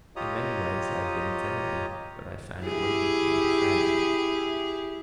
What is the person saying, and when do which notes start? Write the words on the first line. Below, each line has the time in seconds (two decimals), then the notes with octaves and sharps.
In many ways I had been its enemy, but I found it waiting for me as a friend.
0.16 F4 G4 C#5 D#5 A#5 D#6
2.62 E4 G4 G#4